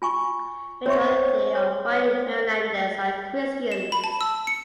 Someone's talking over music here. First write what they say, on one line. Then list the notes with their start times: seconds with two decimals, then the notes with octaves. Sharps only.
The majority of white Marylanders are Christians.
0.02 F4 G#5 C#6
0.86 C4 C#5 E5 C#6
1.55 C#5
3.72 E7
3.92 B5
4.04 A5
4.21 E6
4.47 C#7